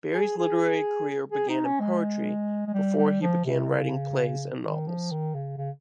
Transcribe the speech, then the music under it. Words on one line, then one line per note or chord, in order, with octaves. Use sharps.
Barry's literary career began in poetry before he began writing plays and novels.
G#4
G#4
G#4
D#4
C#4
G#3
G#3
G3
G3
F3
C3
C#3
D#3
F3
D#3
C#3
C#3